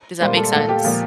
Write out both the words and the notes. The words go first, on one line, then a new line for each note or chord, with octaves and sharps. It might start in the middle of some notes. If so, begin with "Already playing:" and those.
Does that make sense?
A#2 G3 A#3 C5
A4
A#2 A3 A4
G4
A#2 F3 A#3